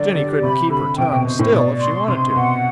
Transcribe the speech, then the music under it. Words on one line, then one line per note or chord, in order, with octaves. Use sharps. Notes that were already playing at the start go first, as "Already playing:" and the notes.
Jenny couldn't keep her tongue still if she wanted to.
Already playing: D3 F#3 D5
D3 G4
C3 B5
D3 B5
C3 G5
B2
B2 C5
A2
B2 D5
C6
C3 C6
B2 F#5